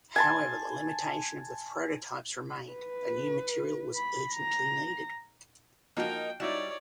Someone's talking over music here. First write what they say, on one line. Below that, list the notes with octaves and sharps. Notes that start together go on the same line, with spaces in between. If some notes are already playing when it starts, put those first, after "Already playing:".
However the limitation of the prototypes remained, a new material was urgently needed.
G#5 A5 C6
B4
B5
A#5
F3 A#3 D#4 F#4 A#4 G5
G3 D#4 E4 F#4 C#5 D5